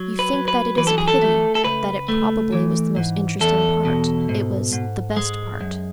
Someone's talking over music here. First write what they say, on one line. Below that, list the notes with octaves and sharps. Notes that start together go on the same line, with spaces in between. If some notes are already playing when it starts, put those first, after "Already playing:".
You think that it is a pity, that it probably was the most interesting part, it was "the best part."
Already playing: F#3
B4
F#3
B4
E3 B4
A4
G#4
A4
A3
A4
C#2 B4
A3
E3
G#2
E2 A4
B2
G#2
G#2
G#3
F#2